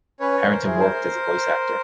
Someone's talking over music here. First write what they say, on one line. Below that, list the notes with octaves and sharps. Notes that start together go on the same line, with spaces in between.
Harrington worked as a voice actor.
C#4 B4 C#5
A#4 C5
E4 G#4
A#4 C5